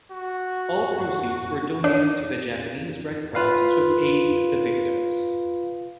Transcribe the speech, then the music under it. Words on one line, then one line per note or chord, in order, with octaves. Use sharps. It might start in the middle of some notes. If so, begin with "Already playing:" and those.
All proceeds were donated to the Japanese Red Cross to aid the victims.
F#4
D4 C#5
F4 B4 F5